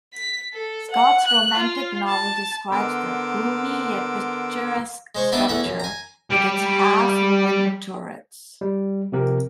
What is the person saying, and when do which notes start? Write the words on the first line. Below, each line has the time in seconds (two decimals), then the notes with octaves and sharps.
Scott's romantic novel describes the "gloomy yet picturesque structure", with its "half-ruined turrets".
0.14 B6
0.53 A4
0.91 F#5
1.27 F#6
1.57 F4
2.08 A5
2.71 D3 B3 A#4 C6 D6 E6
5.15 G#3 C5 C#6
5.32 B3 D4 D#4 B4 E5 A5
5.49 E2 E3 A3 E5 F#5
5.64 F#2
5.80 G#5 A#5
6.30 G3 G4
8.61 G3
9.12 C3 F3 G4 A#4